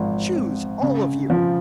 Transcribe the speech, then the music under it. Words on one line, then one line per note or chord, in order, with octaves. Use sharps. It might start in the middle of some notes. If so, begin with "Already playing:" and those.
"Choose, all of you!"
Already playing: G#1 F3
C4
C#3
F3